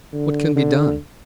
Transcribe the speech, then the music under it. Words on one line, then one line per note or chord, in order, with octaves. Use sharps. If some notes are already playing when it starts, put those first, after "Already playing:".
"What can be done?"
D3
D3